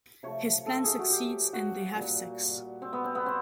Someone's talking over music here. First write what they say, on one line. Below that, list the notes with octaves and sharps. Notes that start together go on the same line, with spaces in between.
His plan succeeds and they have sex.
C3 F3 A3 C#5
A4
G4 G#4
F#4
G4
F#4
A#2 G3
C4
B3
C4
B3
C4